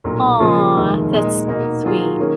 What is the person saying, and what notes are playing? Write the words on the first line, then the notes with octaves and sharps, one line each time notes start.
Aw, that's so sweet.
B1 A#2 F#3
C#3 F3 A#3 F4 G#4
F1 D#2 D#3 G#3
A#2 G#3 D#4
B2 A#3 D#4
D#3 F#3 A#3 F4 G#4
D#3 A#3 C#4 G#4